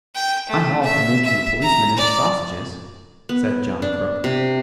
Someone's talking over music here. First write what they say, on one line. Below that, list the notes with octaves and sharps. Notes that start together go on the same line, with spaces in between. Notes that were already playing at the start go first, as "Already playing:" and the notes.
"I'm all for making a policeman into sausages," said John Crook.
G5
A3
E5
E5
A#5
D5
B3
D4
C3